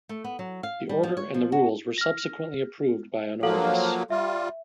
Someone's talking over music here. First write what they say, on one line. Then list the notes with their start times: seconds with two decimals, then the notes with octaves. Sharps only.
The order and the rules were subsequently approved by Honorius.
0.09 A3
0.24 B3
0.39 F#3
0.63 F5
0.89 G3
1.03 F3
1.17 C#5
1.34 F3
1.52 F#4
1.98 F6 A#6
3.43 F3 F#3 A#3 A4 F5 F#7
4.10 G3 F4 E5